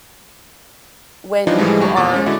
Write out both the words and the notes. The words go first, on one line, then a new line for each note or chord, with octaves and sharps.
when you are
E3 F3 G3 D4 D#4 F4
A2 E3 F3 G3 G#3
D2 G3 C#6
E2 A#2 D6 A6
G#3 C#4
D3 G#3 E4 F#4